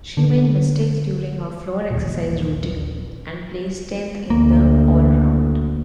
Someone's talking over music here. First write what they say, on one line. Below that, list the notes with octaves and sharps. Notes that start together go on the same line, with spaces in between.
She made mistakes during her floor exercise routine and placed tenth in the all-around.
D3
D#1 A#1
D2 A#3